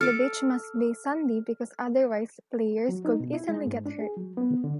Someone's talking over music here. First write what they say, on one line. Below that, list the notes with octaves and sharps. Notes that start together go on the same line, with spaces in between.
The beach must be sandy because otherwise players could easily get hurt.
A4 D6 F6
F#3
D#4
B2
E4
G#3
G#2
D4
G#4
F#3
B3
D3